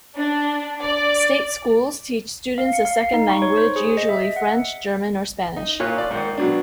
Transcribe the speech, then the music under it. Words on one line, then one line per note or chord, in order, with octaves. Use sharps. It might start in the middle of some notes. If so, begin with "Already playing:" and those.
State schools teach students a second language, usually French, German or Spanish.
D4
D5
F5
C#7
F5
C7
D#4
C#6
C#5
C5
G#4
D#5
E5
F#5
D#4
A#2 F4 C#5 F#6
D5
G#2 D#3
B2 F#3 D4